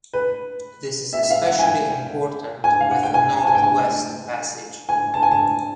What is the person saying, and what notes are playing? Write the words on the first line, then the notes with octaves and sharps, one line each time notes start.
This is especially important with the Northwest Passage.
B4
E5
E5
F5
F#5
G#5
G5
G#5
F5
F#5
G5
G#5
A5
G#5
G5
G#5
G#5
A5
G#5
A5